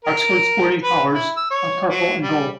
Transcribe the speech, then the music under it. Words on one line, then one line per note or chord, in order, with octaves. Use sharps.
Wexford sporting colours are purple and gold.
A#4
B4
E4
E6
C#5
F#3
G3